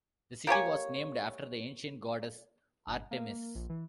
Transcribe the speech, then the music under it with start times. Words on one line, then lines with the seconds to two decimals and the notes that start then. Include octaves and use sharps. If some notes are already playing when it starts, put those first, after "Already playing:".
The city was named after the ancient goddess Artemis.
0.47 A#3 G4 C#5 G#5
2.87 G1
3.11 A#3
3.55 A#1
3.69 E3